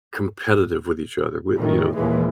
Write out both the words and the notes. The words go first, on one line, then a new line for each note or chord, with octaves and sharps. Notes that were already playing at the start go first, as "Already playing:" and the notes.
competitive with each other, with, you know,
A2 D#3
D#2 A#2 E3 G#3